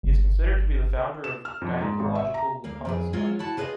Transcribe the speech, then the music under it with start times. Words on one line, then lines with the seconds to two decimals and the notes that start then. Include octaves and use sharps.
He is considered to be the founder of gynecological laparoscopy.
0.03 G1
1.24 E7
1.45 F6
1.61 F2
1.81 G#2
2.00 G#1
2.15 E5
2.34 A#5
2.64 D2 A#3 F5
2.85 F2 C4 G#4
3.13 F#3 G#3 C4 F4
3.39 E4 F#4 A5
3.57 F4 G#4 B4 C#5 D#5 F5